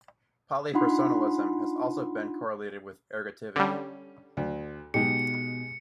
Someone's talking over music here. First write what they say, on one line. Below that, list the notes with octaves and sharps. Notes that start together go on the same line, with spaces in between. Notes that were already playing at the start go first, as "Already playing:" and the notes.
Polypersonalism has also been correlated with ergativity.
D4 D#4 F4 F#5 B5 C6
D3 G3 C#4
D2
B2 G#3 D#4 G4 C#7